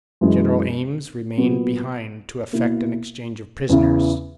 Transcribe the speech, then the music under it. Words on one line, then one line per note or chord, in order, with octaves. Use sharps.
General Ames remained behind to effect an exchange of prisoners.
F#2 E3 G#3
A#2 F#3 B3
B2 A#3 E4
E2 C#3 E3